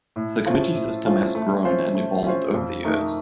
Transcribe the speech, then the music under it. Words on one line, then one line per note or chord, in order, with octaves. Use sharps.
The committee system has grown and evolved over the years.
A2
F3 A3 C#4 F4
A2
F3 A3 C#4 F4
A3
C#4 F4 C5
A3
C#4 F4 C5
F2
D#3 A3 D#4